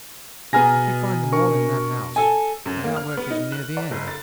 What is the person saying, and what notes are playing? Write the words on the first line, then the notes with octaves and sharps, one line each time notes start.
If we find them all in that house, then our work is near the end.
B2 B3 G#4 G#5 A#5 F6 A#6
D4 A#4 C#6
A4 G#5
F#2
A#3
F6
B3
D#4
F#6
D5
F#1
A6